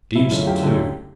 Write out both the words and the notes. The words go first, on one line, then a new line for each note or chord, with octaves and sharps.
Deemster too!
F#2 E4
D3 F#3 A3 C#4 F4
F#2 G4
D3 F#3 A3